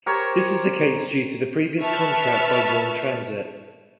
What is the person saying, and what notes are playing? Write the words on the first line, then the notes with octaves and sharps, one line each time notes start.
This is the case due to previous contract by Vaughan Transit.
G4 A#4 C5 C#5
B4 E5 A5 C#6 F6